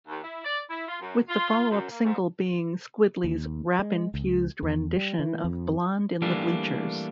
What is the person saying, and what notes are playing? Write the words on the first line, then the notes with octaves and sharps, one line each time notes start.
With the follow-up single being Squiddly's rap-infused rendition of 'Blonde In The Bleachers'.
D#2
E4
D5
E4
F4
F#2
F4
F#2
A#3
G#2
D#2
G#3
C#2
E2
G3
E3
F2
E3 G3 A3 A#3 D4